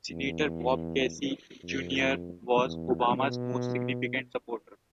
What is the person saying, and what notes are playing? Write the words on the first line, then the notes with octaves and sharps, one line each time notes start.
Senator Bob Casey, Junior was Obama's most significant supporter.
E2
F2
E2
B2